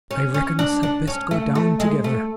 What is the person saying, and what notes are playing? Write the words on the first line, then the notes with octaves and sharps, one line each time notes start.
"I reckon us had best go down together."
C#4
C#4
D4
D4
C#4
A3
A3
G#3
A3